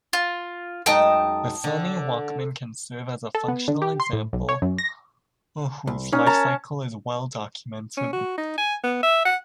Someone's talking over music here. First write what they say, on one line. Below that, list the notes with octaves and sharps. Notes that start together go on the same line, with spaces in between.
The Sony Walkman can serve as a functional example whose life cycle is well-documented.
F4
F#2 G#3 D#4 G5 A5 D#6
D3
A4
B3
D3
G4
C6
A2
B1
C#5
F#2
A#6
C2
C#4 D#4
A#4 A5 A#5
C#4
F#4
D#4
G#5
B3
E5
F#5